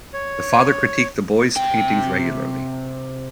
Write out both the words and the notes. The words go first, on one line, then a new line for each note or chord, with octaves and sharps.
The father critiqued the boys' paintings regularly.
C#5
C3 G5